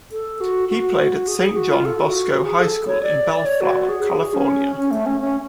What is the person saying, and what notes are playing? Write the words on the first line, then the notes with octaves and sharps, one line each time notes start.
He played at Saint John Bosco High School in Bellflower, California.
A4
F#4
F#4
G#4
G#4
F#4
F4
A4
F#4
G#4
A4
C#5
D5
D5
C#5
F#4
G#4
G#4
G#4
C#4
C#4
A3
C#4
C#4